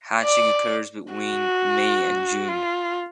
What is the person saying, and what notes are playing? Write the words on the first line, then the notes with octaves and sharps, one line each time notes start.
Hatching occurs between May and June.
D5
F#4
F4